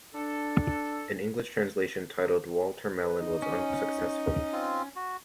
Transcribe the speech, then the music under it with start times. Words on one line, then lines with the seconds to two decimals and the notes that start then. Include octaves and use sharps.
An English translation titled "Walter Melon" was unsuccessful.
0.13 D4 A4
3.02 B4
3.19 D#4
3.42 C#4
4.53 C4 F4
4.96 F#4